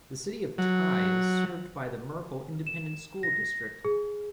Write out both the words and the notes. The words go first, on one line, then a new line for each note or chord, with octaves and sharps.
The City of Tye is served by the Merkel Independent School District.
F#3
E7
A#6
G#4